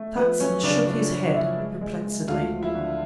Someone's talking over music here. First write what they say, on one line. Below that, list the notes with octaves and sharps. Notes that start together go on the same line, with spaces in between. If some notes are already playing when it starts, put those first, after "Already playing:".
Platts shook his head, perplexedly.
Already playing: A3
F3 B3 B4
F#2 C#4 C#5
C#3 D4 D5
F3 D4 D5
F#2
F3 E4 E5
G#3
G#3
G#3
D2 F4 F5
F3
E4 E5
D3